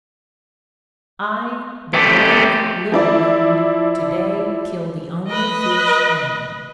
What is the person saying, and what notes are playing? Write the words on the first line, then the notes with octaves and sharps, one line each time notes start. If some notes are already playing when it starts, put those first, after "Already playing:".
"I, the brave Little Wound, to-day kill the only fierce enemy!"
A3 G4
F3 E4 D5
B4 D#5